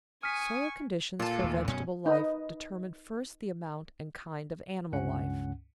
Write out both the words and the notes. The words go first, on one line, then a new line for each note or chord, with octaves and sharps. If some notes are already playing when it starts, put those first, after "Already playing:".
Soil conditions for vegetable life determine first the amount and kind of animal life.
G#5 C#6 D#6 F6 B6
A#2 F4 A4
D#2 A3
F#2 B2 C#4
D#4 B4 D#5
C#2 G2 C#4 F#5